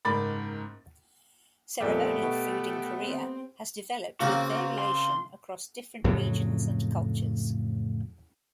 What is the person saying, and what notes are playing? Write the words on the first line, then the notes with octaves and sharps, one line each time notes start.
Ceremonial food in Korea has developed with variation across different regions and cultures.
F#1 G#2 A#4 B5 D6 A6
F2 A#2 G3 A3 B3 G4
B2
C4
C#3 A#3 C4 F#4
C6
F2 A2 C#3 F#3